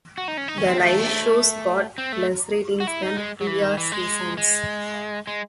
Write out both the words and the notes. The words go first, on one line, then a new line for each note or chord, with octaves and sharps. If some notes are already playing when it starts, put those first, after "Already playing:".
The live shows got less ratings than previous seasons.
F#4
D#4
C#4
D#4
C#4
C4
A3
C4
A3
F#4
E4
D#4
G#3
F#3
E3
D#3
E3
G#3
G#3
G#3